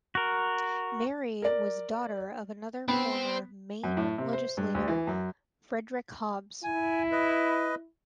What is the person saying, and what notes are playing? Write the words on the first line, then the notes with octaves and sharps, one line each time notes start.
Mary was daughter of another former Maine legislator Frederick Hobbs.
F#4 A#4
A#4 D5
B3 C4 C5
F#2
A2
C3
C5
G2
D2
E3
F#2
E4 G#5
B4 D#5